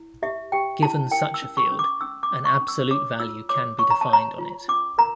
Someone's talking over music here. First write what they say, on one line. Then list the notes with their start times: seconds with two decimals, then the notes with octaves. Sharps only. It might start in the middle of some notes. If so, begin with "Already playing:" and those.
Given such a field, an absolute value can be defined on it.
Already playing: E4
0.22 G4 E5
0.52 G4 G5
0.82 E4 A5
1.11 A#4 G5
1.34 E6
1.42 C#4
1.57 C#6
1.72 C#4
1.79 D6
2.01 C#4 E6
2.23 D6
2.31 C#4
2.45 C#6
2.61 C#4
2.68 E6
2.91 C#5 D6
3.20 F4 E6
3.49 C#5 D6
3.79 C#5 C#6
3.90 A#5
4.01 A5
4.09 C#5 A#5
4.39 F4
4.68 C#4 D6
4.98 A#4 A#5